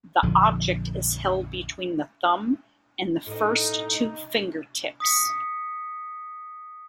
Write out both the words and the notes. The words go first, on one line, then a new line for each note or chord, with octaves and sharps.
The object is held between the thumb and first two finger tips.
A#1 F2 D3
A2 D#4 D#5
D#6 B6 C#7